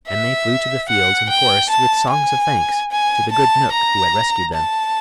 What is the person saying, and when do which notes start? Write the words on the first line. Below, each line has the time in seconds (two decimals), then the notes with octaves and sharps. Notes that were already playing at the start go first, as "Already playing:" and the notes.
And they flew to the fields and forests with songs of thanks to the good knook who had rescued them.
0.08 E5
0.89 F#5
1.29 G5
1.70 A5
2.11 G#5
2.91 G#5
3.32 A5
3.72 A#5
4.53 A5